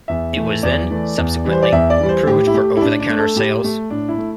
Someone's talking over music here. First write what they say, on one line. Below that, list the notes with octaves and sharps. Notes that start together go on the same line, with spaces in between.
It was then subsequently approved for over-the-counter sales.
E2 E5
E3 A3
E2 D5
E3 A3
E2
E3 G3
C5
D5
E2 E5
D5
E3 G3
C5
A2 G4
E4
A3 G4
E4
A2 D4
D4
A3
A4
A2 G4
A3
A2 D4
E4
A3